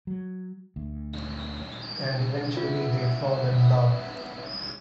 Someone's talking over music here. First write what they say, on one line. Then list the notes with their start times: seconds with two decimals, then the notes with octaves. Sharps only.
And eventually they fall in love.
0.07 F#3
0.76 D2
2.57 B3 F4 E5